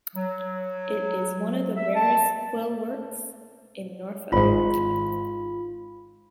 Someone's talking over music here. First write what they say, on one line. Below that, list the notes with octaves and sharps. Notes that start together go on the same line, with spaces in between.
It is one of the rarest quillworts in North America.
F#3
E5
A5
G#1 G#2 F4 B5